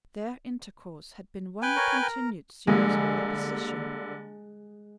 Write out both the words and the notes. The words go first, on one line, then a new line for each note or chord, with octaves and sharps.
Their intercourse had been one continued series of opposition.
B4 G5 G#5
A#4 C#5
A#4
D3 G3 G#3 A#3